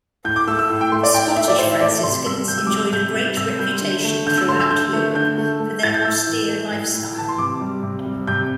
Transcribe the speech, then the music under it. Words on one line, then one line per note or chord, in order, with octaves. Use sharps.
The Scottish Franciscans enjoyed a great reputation throughout Europe for their austere lifestyle.
A2 G6
D6
A3 E6
E6
A2
G5
A3 C6
D5
A2 G5
G5
A3 E5
D5
A2 C5
E5
A3 D5
C3 C6
G3 E6
C3 G6
E6
G3 D6
E6
C3 G6
G3
C3 E6
G3 G6
D3
A3
D3 G6
E6
A3 C6
E6
D3 G6
A3
D3 G6
A3
A3
A2 A6
G6
A2 E6
E3
A3
A2
A2
E3 A5
C6
C3 D6
G3
C3
G3
C3 G6